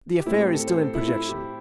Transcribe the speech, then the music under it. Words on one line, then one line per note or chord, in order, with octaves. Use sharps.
"The affair is still in projection."
G4
A2 A3 C4 E4
G4
A4
C5
A4
E4
E4
G4